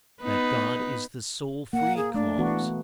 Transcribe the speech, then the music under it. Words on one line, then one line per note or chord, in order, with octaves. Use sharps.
That God is the sole free cause.
B3 D#4 B4
A#3 F#5
G#4
A3 D4
E3 B3 F#4